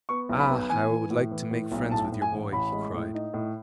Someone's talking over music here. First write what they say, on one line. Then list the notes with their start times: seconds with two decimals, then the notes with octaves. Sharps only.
"Ah, how I would like to make friends with your boy!" he cried.
0.09 B3 C#6
0.29 B1
0.39 B5
0.49 B3
0.70 E3 G#5
0.91 E3
1.10 A2
1.31 E3
1.51 A2
1.72 B1
1.91 A2 A5
2.12 A2
2.22 G#5
2.32 A1
2.52 A1 B5
2.72 G#3
2.94 A2
3.14 D#4
3.34 A2